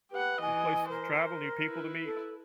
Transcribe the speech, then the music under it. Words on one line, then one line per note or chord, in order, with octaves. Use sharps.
new places to travel, new people to meet.
G4 B4 F#5
E3 D#5 G#5
A#4 C5
E4 B4
A4